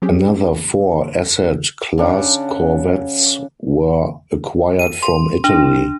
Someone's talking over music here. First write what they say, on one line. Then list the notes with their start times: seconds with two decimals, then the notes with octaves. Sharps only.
Another four Assad class corvettes were acquired from Italy.
0.02 F#3 C4 C#4 G4 G#4
1.98 C#3 D4 F#5
4.79 D#7
5.03 C6
5.44 D4